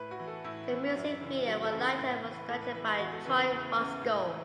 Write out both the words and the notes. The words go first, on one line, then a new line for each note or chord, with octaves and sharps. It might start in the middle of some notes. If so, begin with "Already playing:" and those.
The music video for "Lighter" was directed by Troy Roscoe.
Already playing: A2 B4
F#4
E3
A4
A2 E4
E3
F#2
C#3 E3
F#2 F#4
A4
C#3 E3
A4
A2
E3
B4
A2 A4
B4
E3 B4
B4
E2 F#4
A4
C#3 E3 B4
B4
E2
C#3 E3
A2
E3